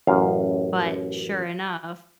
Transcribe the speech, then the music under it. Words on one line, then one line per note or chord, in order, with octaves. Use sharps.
but sure enough
A1 F#2 F5